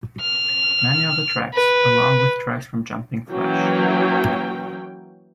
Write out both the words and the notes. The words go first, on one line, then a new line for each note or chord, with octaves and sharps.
Many of the tracks, along with tracks from Jumping Flash!
F6
B4
E3 F#3 A#3 C#4 G5